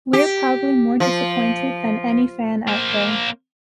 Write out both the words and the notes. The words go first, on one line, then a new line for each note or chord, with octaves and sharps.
We're probably more disappointed than any fan out there.
G4
F3
A#3 C5